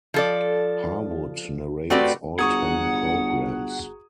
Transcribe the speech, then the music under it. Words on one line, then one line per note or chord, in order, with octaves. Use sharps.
Harwood narrates all ten programmes.
F3 A4 D5
A3 C4 F#4 G4 B4 D5
G1 F#4 G#4 F#5 A#5 C#6 D#6 G#6